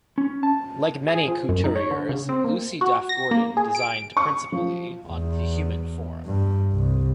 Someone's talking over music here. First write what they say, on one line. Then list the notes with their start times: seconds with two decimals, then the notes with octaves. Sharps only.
Like many couturiers, Lucy Duff-Gordon designed principally on the human form.
0.18 C#4
0.43 A5
1.08 G#4
1.28 F3
1.49 F#2
1.64 D#4
1.76 C#5
1.91 D3
2.09 C#3
2.29 C4
2.44 A#3
2.81 F#4
3.09 A#6
3.31 A#3
3.57 G#4
3.75 D7
4.17 C#6
4.52 F3
5.07 E2
6.25 G2
6.72 C2